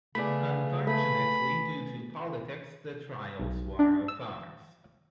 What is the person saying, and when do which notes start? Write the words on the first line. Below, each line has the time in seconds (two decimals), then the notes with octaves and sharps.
Unfortunately due to politics the trials were a farce.
0.15 C#3 A3 B3 G#4 D5 B5
0.87 A3 G#4 B4 B5
3.39 B1
3.79 D4
4.08 E6